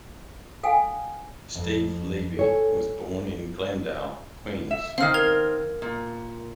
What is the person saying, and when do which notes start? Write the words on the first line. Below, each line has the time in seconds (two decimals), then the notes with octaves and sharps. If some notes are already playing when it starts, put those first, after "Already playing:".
Steve Levy was born in Glendale, Queens.
0.63 A4 F5 G5 G#5
1.55 F2
2.37 A4 C#5 G#5
4.71 E5
4.98 D#3 C4 F5 F6
5.14 A#4 G#6 F7
5.82 A#2